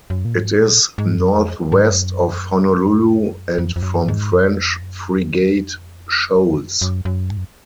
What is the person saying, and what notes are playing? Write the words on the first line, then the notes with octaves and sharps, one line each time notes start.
It is northwest of Honolulu and from French Frigate Shoals.
F#2
A#2
G#2
A#2
G#2
F#2
F2
G#2
F#2
F2
F2
F#2
G#2
F#2
F2
F#2
F2
F#2
F#2
F#2
G#2
F#2